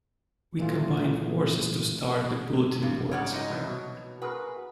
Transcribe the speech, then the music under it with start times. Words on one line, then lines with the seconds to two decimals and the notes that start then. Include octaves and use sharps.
We combined forces to start the Bulletin boards.
0.59 A#2 E3 A3 F4
2.83 G2
3.11 G#2 C#3 C#5 D5 F#5
3.32 F#3 D#4 D#5
3.50 C2 E3 A5
3.67 B2
4.22 F#4 G#4 A#4 B4